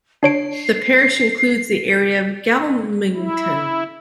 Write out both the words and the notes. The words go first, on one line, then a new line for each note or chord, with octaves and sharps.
The parish includes the area of Galmington.
D4 C#5 C7 D7
E4